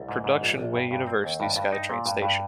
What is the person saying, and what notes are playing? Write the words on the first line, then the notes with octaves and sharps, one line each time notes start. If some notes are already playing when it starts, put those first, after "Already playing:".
Production Way-University SkyTrain station.
Already playing: C2
G#2
G#2
A#1
A#1
G2
G2
C4
D#2
G2
G2
D#4
A#2
G2
G2